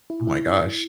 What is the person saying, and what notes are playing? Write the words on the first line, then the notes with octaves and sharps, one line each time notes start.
Oh my gosh.
E4
E4